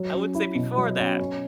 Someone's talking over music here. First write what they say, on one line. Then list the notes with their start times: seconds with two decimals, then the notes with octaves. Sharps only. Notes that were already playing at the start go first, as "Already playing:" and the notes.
I would say before that,
Already playing: F#3
0.14 C#4
0.35 E4
0.55 B2
0.77 F#3
0.98 C#4
1.19 C#4